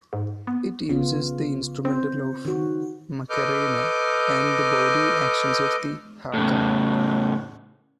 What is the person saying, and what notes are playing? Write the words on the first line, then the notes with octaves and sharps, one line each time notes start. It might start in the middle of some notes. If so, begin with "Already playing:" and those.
It uses the instrumental of "makarena" and the body actions of the haka.
G#2
B3
A1 C#3 B3 F4
C4 C5
D#3 F#4
A4 B4 D#5 D6 F6 G6
A2 C#3